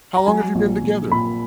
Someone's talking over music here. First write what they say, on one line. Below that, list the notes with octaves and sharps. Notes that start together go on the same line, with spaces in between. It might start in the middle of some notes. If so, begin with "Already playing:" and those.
How long have you been together?
A#5
F#3 G#5
A#1
A#1
A#2 B5